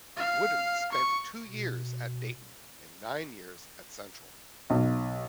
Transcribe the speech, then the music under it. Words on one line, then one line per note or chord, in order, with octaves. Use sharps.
Wooden spent two years at Dayton and nine years at Central.
F5
C#6
B2
B1